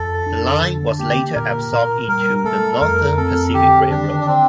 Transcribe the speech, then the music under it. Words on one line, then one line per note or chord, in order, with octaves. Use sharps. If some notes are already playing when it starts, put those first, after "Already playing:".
The line was later absorbed into the Northern Pacific Railroad.
Already playing: F2 A4
D4
D3
A#3 G4
A#2 A#4
A#2 A#4
G3 A#4
A3 A4
F2 A#4
C4 A4
D3 G4
D#3 D4
D4
C4